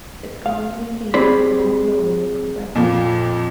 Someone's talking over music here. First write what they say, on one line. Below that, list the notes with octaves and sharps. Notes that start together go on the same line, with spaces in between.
Its county seat was Mont-Laurier, Quebec.
F5
C4 G4 G#4 C5 D5 B5
F2 A#2